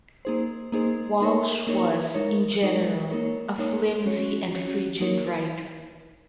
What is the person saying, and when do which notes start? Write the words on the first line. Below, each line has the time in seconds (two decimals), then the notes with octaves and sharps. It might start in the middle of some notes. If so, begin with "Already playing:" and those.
Walsh was in general a flimzy and frigid writer.
0.25 A#3 D#4 G#4 C5
0.72 A#3 D#4 G#4 C5
1.20 A#3 D#4 A#4 C#5
1.67 A#3 D#4 A#4 C#5
2.14 G#3 D#4 A#4 C#5
2.62 G#3 D#4 A#4 C#5
3.11 A#3 D#4 A#4 C#5
3.58 A#3 D#4 A#4 C#5
4.06 C#4 F#4 C#5
4.54 C#4 F#4 C#5
5.00 F#3 A#3 D#4 A#4 C#5